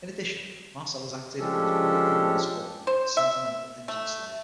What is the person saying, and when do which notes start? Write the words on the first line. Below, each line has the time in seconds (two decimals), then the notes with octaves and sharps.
In addition Marcel has acted in his brother Omar's film The Sentimental Engine Slayer.
1.38 F3 G#3 C#4 D4 G4 A4
2.87 C5
3.17 E5
3.88 A3